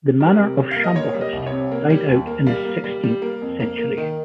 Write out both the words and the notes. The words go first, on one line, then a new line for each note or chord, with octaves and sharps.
The Manor of Shamblehurst died out in the sixteenth century.
G3 A#4
C3
G3
A#3 F5
D#5
A#3 C#5
G3
D#5
C2
C#5
C3
A#3
G3
D#2
A#3
G3 F5
A#3
G3
G3
A#3
F2
A#3
A#3
D#3